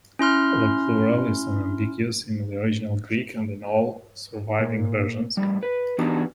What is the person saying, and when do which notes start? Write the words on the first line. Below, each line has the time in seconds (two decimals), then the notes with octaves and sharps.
The plural is unambiguous in the original Greek and in all surviving versions.
0.19 C#4 E4 C6 F6
4.59 A#2
5.37 A2 G3
5.63 B4
5.98 E3 B3 D4 D#4 F#4 G4